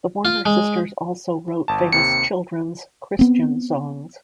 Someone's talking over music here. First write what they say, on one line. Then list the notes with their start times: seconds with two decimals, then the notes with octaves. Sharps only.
The Warner sisters also wrote famous children's Christian songs.
0.25 F4
0.46 G#3
1.68 G1 A5
1.93 D#2 C3 C#7
3.19 B3 C4